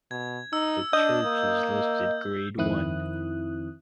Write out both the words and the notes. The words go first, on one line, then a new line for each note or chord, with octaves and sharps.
The church is listed Grade One.
B2 G#6
D#4 E6
D4 D#5 G6
A#3
F2 D#3 C4 E4 D#6 F#6